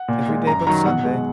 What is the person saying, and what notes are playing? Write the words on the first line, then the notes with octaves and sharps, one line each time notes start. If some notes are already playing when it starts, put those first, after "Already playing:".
"Every day but Sunday."
Already playing: F#5
A#2
G#3
F#2 A#5
D#3 F#3 A#5
B2 F#5
G#3